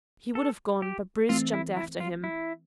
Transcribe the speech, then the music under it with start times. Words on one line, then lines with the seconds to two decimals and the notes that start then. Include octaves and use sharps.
He would have gone, but Bruce jumped after him.
0.35 A4
0.82 G4
1.29 E3 A3 C4 F4
1.54 E4
1.77 E4
2.00 F4
2.24 E4